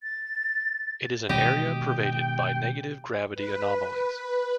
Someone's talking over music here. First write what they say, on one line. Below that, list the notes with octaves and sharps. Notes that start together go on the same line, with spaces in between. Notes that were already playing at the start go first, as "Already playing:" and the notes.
It is an area pervaded by negative gravity anomalies.
A6
B2 D#3 G#3 G4 D#5 G5
B4